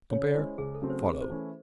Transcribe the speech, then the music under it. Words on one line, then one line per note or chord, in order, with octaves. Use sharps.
Compare FOLLOW.
C#3 C#5
G#3 C#4 E4 C5
C#2 G#4
A4
C#3 F#3 A3 C4
C5
C3 G#4
C5
E3 A3 C#4 E4